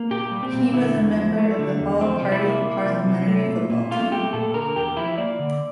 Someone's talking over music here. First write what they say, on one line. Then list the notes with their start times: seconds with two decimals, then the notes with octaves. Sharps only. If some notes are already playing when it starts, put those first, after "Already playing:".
He was a member of the All-Party Parliamentary Football Team.
Already playing: A#3
0.11 A#2 G4
0.31 G3
0.43 C4
0.53 A#2
0.74 D3 E4
0.95 E2
1.16 F3
1.38 A3
1.59 D3
1.79 E2
2.01 F3 C4
2.22 C3
2.32 E4
2.43 A#3
2.64 C3
2.86 F3
3.07 C3
3.28 A3
3.48 A#2
3.70 A#2
3.91 A3 F4
4.12 A3 G4
4.33 A#2 A4
4.54 D3 A#4
4.76 E2 G4
4.97 F3 E4
5.18 A#3 D5
5.39 D3